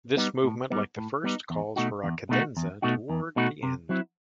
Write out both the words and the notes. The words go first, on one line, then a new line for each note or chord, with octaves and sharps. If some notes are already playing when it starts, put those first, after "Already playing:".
This movement, like the first, calls for a cadenza toward the end.
G3 B3 D#4
A2
G3 B3 D#4
A2
G3 B3 D#4
E2
B2 A3 D#4 F#4
E2
B2 A3 D#4 F#4
E2
B2 A3 D#4 F#4
E2
B2 A3 D#4 F#4
C3
F#3 C4 E4